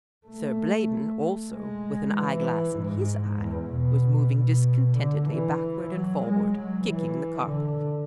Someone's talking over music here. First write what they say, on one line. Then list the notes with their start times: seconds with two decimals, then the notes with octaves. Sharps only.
Sir Blaydon also, with an eyeglass in his eye, was moving discontentedly backward and forward, kicking the carpet.
0.27 A3
1.52 G#3
2.15 E3
2.77 G#2
3.40 E2
3.71 B2
4.34 B2
4.97 D3
5.28 E3
5.90 F#3
6.22 G#3
6.53 F#3
6.84 E3
7.47 D3